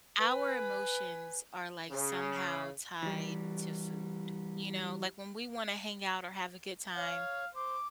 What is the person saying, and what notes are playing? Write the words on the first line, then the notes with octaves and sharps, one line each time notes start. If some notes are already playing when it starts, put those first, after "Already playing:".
our emotions are like, somehow tied to food, you know, like when we wanna hang out or have a good time
B4 G#5
C#3
E3 G3
C#5 F5
C5 D6